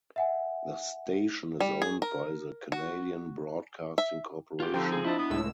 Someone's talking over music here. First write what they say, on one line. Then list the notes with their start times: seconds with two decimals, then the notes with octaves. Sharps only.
The station is owned by the Canadian Broadcasting Corporation.
0.16 E5 F#5 G#5
1.60 G3
1.82 G#4
2.02 A#4
2.72 F#4
3.98 E5
4.60 F4 G4
4.74 D3 F3 C4 D#4
4.92 G#4
5.04 D4 E4 D#5 E5 A5
5.17 B3
5.30 C#2 A2 E6